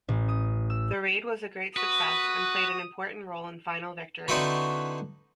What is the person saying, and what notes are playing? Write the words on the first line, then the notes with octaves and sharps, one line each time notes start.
The raid was a great success, and played an important role in final victory.
A1
D#6
E6
F#4 B4 D#6
D3 C4 D#4 E4 F#4 B4